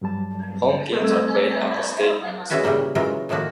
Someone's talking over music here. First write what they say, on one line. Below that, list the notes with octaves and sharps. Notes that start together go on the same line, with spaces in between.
Home games are played at the Stade Municipal.
G2 F#3 G3 A5
C#2 G3 A3 C4 E6 G#6
E3 G#3 C#4 F#4 B4 G#5
A#2 C#3 E3 G3 A#3
C#3 E3 F#3 G#3 F4 A#4
A2 D#3 F3 A#3 F#4